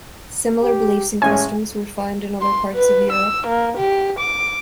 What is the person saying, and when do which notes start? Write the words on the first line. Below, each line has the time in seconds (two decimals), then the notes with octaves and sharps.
Similar beliefs and customs were found in other parts of Europe.
0.63 G4
1.22 A1 G#3 C#4 G#5
2.41 C6
2.74 B4
3.12 E6
3.47 A#3
3.77 G4
4.19 D6